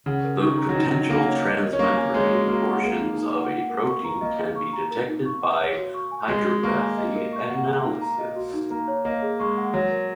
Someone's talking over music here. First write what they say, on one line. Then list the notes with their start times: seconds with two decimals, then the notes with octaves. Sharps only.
The potential transmembrane portions of a protein can be detected by hydropathy analysis.
0.06 C#3 F#5
0.24 A#4
0.40 D#3 C#6
0.58 A#5
0.69 F#3
0.75 D#3 F#4
0.93 D#4
1.10 A#3 F#5
1.28 C#5
1.45 D#5
1.62 A#4
1.73 C#4
1.79 A#3 C#6
1.97 G#5
2.14 G#3 C#5
2.32 F#4
2.48 A#3 F#4
2.66 F#5
2.83 A#3 G#4
3.00 D#4
3.18 D#4
3.35 F#5
3.52 F#5
3.70 A#4
3.87 C#6
4.04 A#5
4.21 A#3 D#5
4.39 G#4
4.56 C#6
4.73 A#5
4.91 A#4
5.08 D#4
5.25 C#6
5.42 F#5
5.60 C#5
5.77 F#4
5.94 C#6
6.11 G#5
6.28 G#3 D#5
6.46 F#4
6.63 A#3 C#6
6.81 G#5
6.98 D#5
7.15 A#4
7.32 C#6
7.50 F#5
7.67 G#4
7.84 D#4
8.02 A#5
8.19 D#5
8.36 F#4
8.53 D#4
8.70 A#3 A#5
8.88 C#5
9.05 A#3 D#5
9.22 G#4
9.40 G#3 C#6
9.57 F#5
9.74 F#3 C#5
9.91 A#4